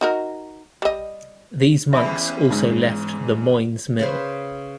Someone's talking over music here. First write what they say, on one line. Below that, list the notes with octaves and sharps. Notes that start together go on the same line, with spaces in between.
These monks also left the "Moines Mill".
D#4 F#4 A#4
G3 D#5
E2 C#4 E5 G#5 B5
G#2
C#3 B4 C5